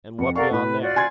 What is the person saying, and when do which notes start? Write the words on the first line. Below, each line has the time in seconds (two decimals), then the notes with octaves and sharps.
"And what beyond there?"
0.18 F2 F#5
0.35 A4 A#4 D5 F5 F#5 C#6
0.51 A2 B4
0.80 F4 F#4 D5
0.96 G#5 C6 G#6